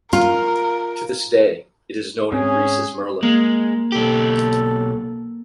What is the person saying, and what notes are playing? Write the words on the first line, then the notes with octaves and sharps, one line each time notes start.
To this day, it is known in Greece as "Merlin".
F4 A#4
G#2 C4 C#4 G#4
G#3 A#3
B1 G4 A4